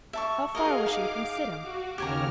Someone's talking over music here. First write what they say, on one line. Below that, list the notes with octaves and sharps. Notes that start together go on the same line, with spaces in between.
How far was she from Sidham?
E5 A5 C#6
F#4 G#4 A#4 D#5 F5
D#4 F5 D6
F#4
D#2 C#3 G4 G#5 A#5 F6